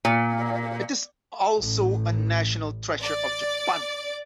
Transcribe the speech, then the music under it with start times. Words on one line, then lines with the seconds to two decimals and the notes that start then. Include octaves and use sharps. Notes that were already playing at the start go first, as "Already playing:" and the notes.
It is also a National Treasure of Japan.
0.05 A#2
1.60 A1
3.01 D5